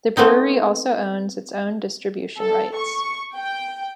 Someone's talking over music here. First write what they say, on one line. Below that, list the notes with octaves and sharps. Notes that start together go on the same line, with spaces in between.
The brewery also owns its own distribution rights.
A3 B3 C4 D#4
A4
C#6
G5